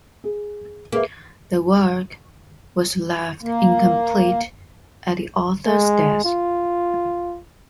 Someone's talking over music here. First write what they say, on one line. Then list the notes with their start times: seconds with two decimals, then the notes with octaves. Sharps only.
The work was left incomplete at the author's death.
0.24 G#4
0.92 A#3 G#4 B4 E5
3.43 A#3
5.66 G#3
6.25 F4